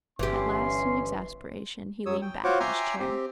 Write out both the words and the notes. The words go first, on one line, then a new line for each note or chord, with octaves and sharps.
At last in exasperation he leaned back in his chair.
G1 E3 C#4 G4 C6
F#2 F#3 C#5 D#6 E6
G5
F4 F#4 C5 C#5 F#5 D6
E5 G5 G#5 A#5 C6 D6
C4 G4